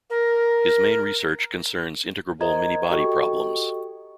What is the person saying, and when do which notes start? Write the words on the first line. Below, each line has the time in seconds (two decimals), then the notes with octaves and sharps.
His main research concerns integrable many-body problems.
0.10 A#4
2.41 A#4 C5 D#5 A#5 G#6
2.90 F#4 G4 A4 D#5 G5 C#6